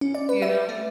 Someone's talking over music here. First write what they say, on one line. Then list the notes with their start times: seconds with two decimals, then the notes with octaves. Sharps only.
You know?
0.01 C#4
0.15 D5
0.29 B4
0.42 E5
0.69 A3